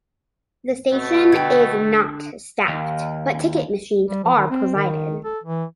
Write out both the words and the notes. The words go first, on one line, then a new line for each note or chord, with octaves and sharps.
The station is not staffed, but ticket machines are provided.
B2 A3
D3 A4 G5 G#6
D#2
G3
F3
D#3
C4
D#3
A4
E3